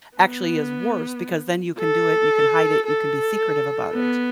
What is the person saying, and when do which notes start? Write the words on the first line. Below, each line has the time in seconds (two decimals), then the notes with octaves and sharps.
actually is worse because then you can do it and you can hide it, you can be secretive about it.
0.18 B3
1.79 A4
2.87 A4
3.93 B3